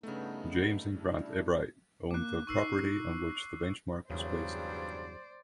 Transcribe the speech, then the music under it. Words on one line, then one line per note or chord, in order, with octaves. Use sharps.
James and Grant Ebright owned the property on which the benchmark was placed.
G2 C#3 A3 B3 D#4
G3 D4 E4
A#3 D6 F#6
D#4 C#6 E6 C7
E2 G2 C#3 F#3 C5 D5